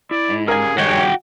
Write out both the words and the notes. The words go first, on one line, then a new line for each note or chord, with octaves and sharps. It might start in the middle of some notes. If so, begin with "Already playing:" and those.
and, uh
E4 D5
C#4 G4 G#4 A#4 F5 G#5
D#3 G3 F#4 G#4 C#5 G5